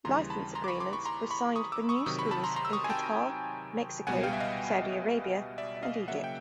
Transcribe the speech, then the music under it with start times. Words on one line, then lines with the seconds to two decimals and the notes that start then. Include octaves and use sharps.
Licence agreements were signed for new schools in Qatar, Mexico, Saudi Arabia and Egypt.
0.05 D#2 C#3 E3 G3 A#5 C6
0.30 A5 B5
0.55 A#5 C6
0.64 D6
0.68 B5 C#6
0.80 C6 D6
0.93 B5 C#6
1.05 A#5 C6
1.30 B5 C#6
1.56 C#6 D#6
1.72 D6 E6
1.89 C#6 D#6
2.06 C3 D#3 F#3 C#6 D#6
2.19 B5 C#6
2.31 A5 B5
2.44 A#5 C6
2.56 A#5 C6
2.65 E6
2.73 C#6 D#6
2.84 G#5
2.90 G5 A5
4.07 C#2 B2 G3 B3 F#5 G#5
4.23 F5 G5
4.33 E5
4.40 D#5 F5
5.58 D5 E5
5.77 E5
5.83 D#5 F5
6.08 C#3 F#3 A#3 E5 F#5
6.24 G5